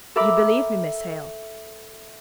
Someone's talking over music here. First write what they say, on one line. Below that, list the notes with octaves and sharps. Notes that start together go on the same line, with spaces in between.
You believe me, Miss Hale?'
A4 A#4 E5 B5 D6